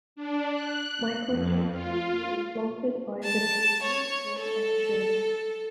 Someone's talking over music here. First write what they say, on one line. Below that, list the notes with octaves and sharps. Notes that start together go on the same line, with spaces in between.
Microchips can be implanted by a veterinarian or at a shelter.
D4
F#6
F2
F4
A5
C#5
A4